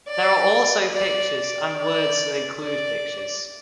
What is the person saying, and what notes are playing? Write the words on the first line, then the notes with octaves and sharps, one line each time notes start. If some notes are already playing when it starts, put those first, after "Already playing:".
There are also pictures, and words that include pictures.
D5
D5
D5
D5
D5